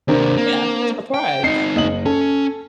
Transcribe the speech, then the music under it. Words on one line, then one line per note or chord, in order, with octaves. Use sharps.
Yeah, surprise.
D#2 C3 C4 D4 A#4
A#3
G5
C4 D#4 D#5 C7 C#7
F#1 D#5 F#7
C#4 A4